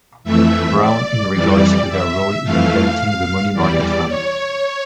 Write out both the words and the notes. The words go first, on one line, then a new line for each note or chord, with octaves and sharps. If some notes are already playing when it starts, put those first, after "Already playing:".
Brown in regards to their role in inventing the money market fund.
F2 E3 A3 E5
D5
F2 E3 G3 D5
E5
F2 E3 A3 F5
E2 E3 G3 D5
C#5